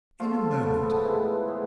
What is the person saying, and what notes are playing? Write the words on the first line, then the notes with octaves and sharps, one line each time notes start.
"In a moment."
D3 F3 A3 F4
A4
A4
D3 F3 A3 B4
A4
B3
A2 E3 G#3 B3 E4
A2 E3 G#3 B3